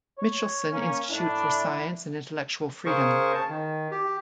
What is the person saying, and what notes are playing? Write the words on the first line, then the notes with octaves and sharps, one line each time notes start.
Michelsen Institute for Science and Intellectual freedom.
C#5
A#3 C#4
A2 D4 E4
C#3 G#4 A#4 C5 C#6
A5
D#3
G4